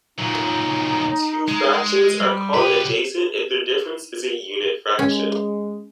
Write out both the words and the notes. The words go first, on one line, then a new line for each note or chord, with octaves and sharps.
Two fractions are called adjacent if their difference is a unit fraction.
A#2 F#3 D#4
G#3
G3
B1 G4 B4
G#3 C#4